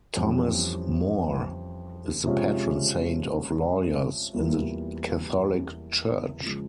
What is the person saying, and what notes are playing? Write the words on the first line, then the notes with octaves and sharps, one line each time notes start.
Thomas More is the patron saint of lawyers in the Catholic Church.
F2 E3 G3 C#4
C3 F3 G#3 C#4 F4
E2 E3 G3 A#3 F4
C#3 F3 G#3